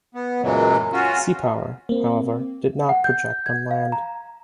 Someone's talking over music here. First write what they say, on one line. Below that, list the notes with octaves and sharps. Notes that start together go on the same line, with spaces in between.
Sea power, however, did not project on land.
B3
F#2 A#2 C#3 E3 F#3 G#3
C#4 F4 F#4
A#3 C4
F#5
G6
G#6
F5
A#5